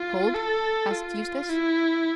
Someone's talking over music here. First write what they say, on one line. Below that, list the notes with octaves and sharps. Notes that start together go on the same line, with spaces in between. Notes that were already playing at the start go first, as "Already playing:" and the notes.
"Cold?" asked Eustace.
Already playing: F4
A4
F4
E4